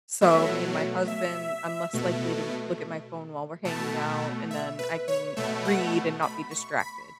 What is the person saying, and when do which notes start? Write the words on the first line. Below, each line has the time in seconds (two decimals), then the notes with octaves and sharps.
So, me and my husband I'm less likely to m look at my phone while we're hanging out, and then I can read and not be distracted.
0.21 B2 F#3 A3 E5
1.08 E5
1.93 B2 A3
3.65 B2 A3 A5
4.51 E5
4.79 B4
5.08 C#5
5.37 B2 A3 E5
5.65 F#5
6.22 B5
6.51 C#6
6.80 B5